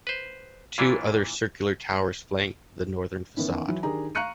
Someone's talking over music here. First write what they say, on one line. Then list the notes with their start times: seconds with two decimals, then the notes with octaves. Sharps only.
Two other circular towers flank the northern façade.
0.07 B4 C5
0.78 A#2 E3 D4 E4 F4
3.37 D#3 E3 B3 C#4
3.68 E3 F#3
3.83 D#3 D4 G4 G#4 A#5
4.15 F5 A#5 C#6 F#6 C#7 D#7